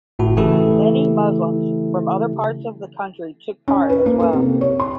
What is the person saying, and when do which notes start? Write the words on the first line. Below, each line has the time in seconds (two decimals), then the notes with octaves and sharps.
Many Muslims from other parts of the country took part as well.
0.19 G1 A2 F#4
0.37 C#3 E3 A3 E4 G4 A4
3.68 C#4
3.90 B4
4.06 A#3
4.20 A4
4.33 C3
4.61 C#5
4.80 C6